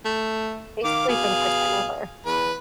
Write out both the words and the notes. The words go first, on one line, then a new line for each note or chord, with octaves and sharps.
basically, for the first time ever.
A3
D#3 F5 D6
B2 G#4 F5
E2 B4